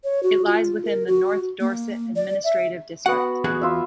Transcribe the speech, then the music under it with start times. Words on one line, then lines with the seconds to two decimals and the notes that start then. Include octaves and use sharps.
It lies within the North Dorset administrative district.
0.04 C#5
0.23 F#4
0.45 F4
0.85 A#4
1.07 F#4
1.60 A#3
2.16 D5
2.44 E5
3.06 B3 F#4 F#5
3.44 E2 F#4 G#4
3.61 F4 E5